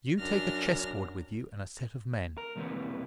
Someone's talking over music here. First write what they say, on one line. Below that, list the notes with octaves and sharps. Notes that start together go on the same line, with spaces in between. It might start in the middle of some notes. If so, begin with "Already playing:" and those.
You take a chessboard with you and a set of men.
F#2 D4 F6 A#6
A#4
B1 E2 C3 E3 A#3 B3